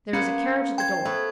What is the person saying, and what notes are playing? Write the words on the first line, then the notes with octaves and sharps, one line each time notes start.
There is a carriage at the door.
A#3 B3 C#4 F4
C5 G5 G#6
A3 B3 A4